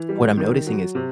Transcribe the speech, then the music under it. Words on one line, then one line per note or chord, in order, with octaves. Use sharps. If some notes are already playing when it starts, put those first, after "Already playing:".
what I'm noticing is,
Already playing: E3
G3
D#3
F#3
C3